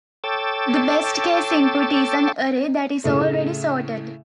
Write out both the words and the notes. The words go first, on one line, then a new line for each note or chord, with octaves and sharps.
The best case input is an array that is already sorted.
A4 C#5 G5 D6 E6 A6
A2 C#3 A3